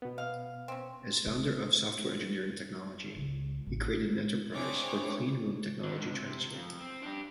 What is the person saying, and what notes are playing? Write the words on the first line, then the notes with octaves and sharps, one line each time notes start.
As founder of Software Engineering Technology, he created an enterprise for Cleanroom technology transfer.
B2 B3
F5
C4 C#4
C3
C#2
A1
C4 D4 E4 G#4 C#5 D6
D3 D#3
C3
F2
C4
D4 G4